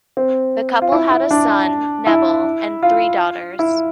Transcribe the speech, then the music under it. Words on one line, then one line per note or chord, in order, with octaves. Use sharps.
The couple had a son, Neville, and three daughters.
C4
F4
E4
E4
D4
E4
F4
E4